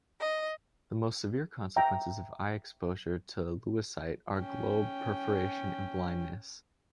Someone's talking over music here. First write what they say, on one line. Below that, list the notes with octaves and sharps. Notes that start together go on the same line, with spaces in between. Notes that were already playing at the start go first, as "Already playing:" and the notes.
The most severe consequences of eye exposure to lewisite are globe perforation and blindness.
D#5
E5 G5 A#5
C#4 G5